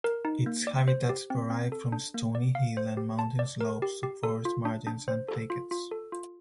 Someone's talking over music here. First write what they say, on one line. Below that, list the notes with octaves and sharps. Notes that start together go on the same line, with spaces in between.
Its habitats vary from stony hill and mountain slopes to forest margins and thickets.
A#4
D#4
A#3
D5
C5
G4
C4
C4
A4
D4
A#3
D5
F5
C5
G4
A5
D5
A#4
G4
G4
A4
F4
D4
D4
C5
A4
F4
F4
A4
F4